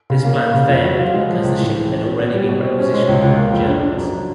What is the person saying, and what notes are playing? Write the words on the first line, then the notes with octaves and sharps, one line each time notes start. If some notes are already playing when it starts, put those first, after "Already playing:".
This plan failed because the ship had already been requisitioned by the Germans.
C#3
A#3
A#3
C#3
F2
F#3
F4
G#3
F3
C#2
A2
E3
C#4
C#4
B3
G3
B2
C4
C#4
G#3
C#2
C#2
A#3
F2
D4
D4
F#2